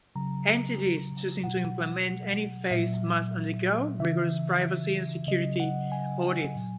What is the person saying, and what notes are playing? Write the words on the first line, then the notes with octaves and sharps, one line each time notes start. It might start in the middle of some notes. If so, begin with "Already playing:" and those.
Entities choosing to implement any phase must undergo rigorous privacy and security audits.
C#3 F#3 A#5
B2 F#3 F#5
A#2 F#3 E5
C#3 E3 E5
C#3 F#3 D#5
F#5
G#5
A#2 F#3